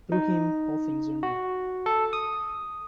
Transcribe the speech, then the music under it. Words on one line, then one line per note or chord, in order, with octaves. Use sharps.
Through him all things were made.
D#4
F#4
A4
D#6